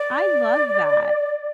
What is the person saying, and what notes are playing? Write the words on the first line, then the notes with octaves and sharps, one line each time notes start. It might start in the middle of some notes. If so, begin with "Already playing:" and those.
I love that,
Already playing: D5